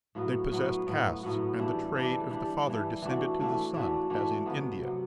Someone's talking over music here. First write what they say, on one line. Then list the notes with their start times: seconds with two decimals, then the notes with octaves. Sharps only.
They possessed castes; and the trade of the father descended to the son, as in India.
0.15 A2 F#3 B3 F#4
0.51 A2 F#3 B3 F#4
0.87 A2 F#3 B3 F#4
1.23 A2 F#3 B3 F#4
1.59 E3 G3 D4
1.95 E3 G3 D4
2.30 E3 G3 D4
2.66 E3 G3 D4
3.02 E3 A3 D4 F#4
3.39 E3 A3 D4 F#4
3.74 E3 A3 D4 F#4
4.10 E3 A3 D4 F#4
4.46 C3 F#3 B3
4.83 C3 F#3 B3